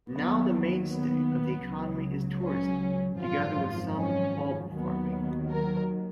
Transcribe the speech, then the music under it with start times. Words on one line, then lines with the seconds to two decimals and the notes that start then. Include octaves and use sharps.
Now the mainstay of the economy is tourism, together with some bulb farming.
0.10 D#2 D#3 F#3 B3
0.87 B3
1.65 C#2 C#3 F#3
2.42 C#4
3.19 G#1 F#2 F3 F4
3.96 C#4
4.74 D#2 D#3 F#3 B3
5.51 A#4